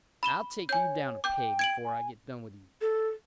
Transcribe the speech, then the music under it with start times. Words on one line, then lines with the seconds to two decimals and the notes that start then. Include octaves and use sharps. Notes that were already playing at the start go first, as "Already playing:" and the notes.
I'll take you down a peg before I get done with you.
0.23 B5 E7 G7
0.69 C#5 G#5 G6
1.24 G5 D6 G6
1.59 G#6 D7 F#7
1.84 G#5
2.81 A4